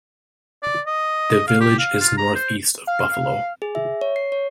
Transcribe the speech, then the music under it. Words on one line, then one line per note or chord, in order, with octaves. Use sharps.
The village is northeast of Buffalo.
D5
D#5
F5
G4
F5
F4
A#5
C5
F5
G#4
E5
C#5
C7
C#5